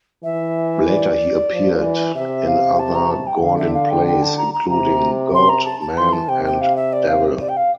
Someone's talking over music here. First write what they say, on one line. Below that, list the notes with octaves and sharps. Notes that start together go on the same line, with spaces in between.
Later he appeared in other Gordin plays, including "God, Man, and Devil".
E3 E5
D5
F3
E3
C3 E5
F5
A5
A#5
A5
G5
D3 F5
E5
F5
G5
G5
A5
A#5
A#5
C3 A#5
C6
A#5
A5
A5
E3 C6
A5
C3 G5
G5
F5
E5
D5
F5
D5
G5
F5